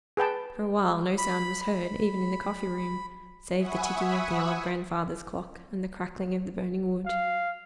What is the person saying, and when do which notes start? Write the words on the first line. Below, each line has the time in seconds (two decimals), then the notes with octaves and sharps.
For a while no sound was heard, even in the coffee-room, save the ticking of the old grandfather's clock and the crackling of the burning wood.
0.17 G#4 B4 G5 A5
1.18 B5
1.74 B5
3.57 E5 F#5 G#5 B5 C#6 D#6
7.05 F5